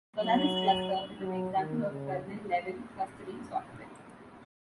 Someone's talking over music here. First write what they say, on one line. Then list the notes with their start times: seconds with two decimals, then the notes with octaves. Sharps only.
Solaris Cluster is an example of kernel-level clustering software.
0.21 F#3
1.23 F#3
1.56 D#3
1.90 C#3